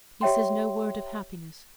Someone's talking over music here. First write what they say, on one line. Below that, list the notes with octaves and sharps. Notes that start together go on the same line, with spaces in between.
He says no word of happiness.
G4 C#5 E5 G5 C6